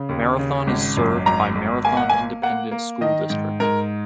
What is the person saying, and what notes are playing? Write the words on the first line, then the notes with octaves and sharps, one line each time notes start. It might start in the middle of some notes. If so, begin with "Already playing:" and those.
Marathon is served by Marathon Independent School District.
Already playing: C#3
D#2
C#3
G#1
F#2
G#1 A#5
G#1
A#3 G#5
F#5
A#3 G#5
A#3 F#5
A#3
D#3 D#5
G#2
G#2 A#4